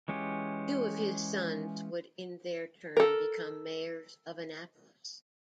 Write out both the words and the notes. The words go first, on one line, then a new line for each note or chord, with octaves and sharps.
Two of his sons would in their turn become Mayors of Annapolis.
E3 G#3 C#4 F4 G4
A4 A#4